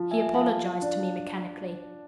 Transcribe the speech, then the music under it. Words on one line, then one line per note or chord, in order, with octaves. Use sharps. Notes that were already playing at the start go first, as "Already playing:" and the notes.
He apologized to me mechanically.
Already playing: F3
E5 G#5
F3 F5 A5
D4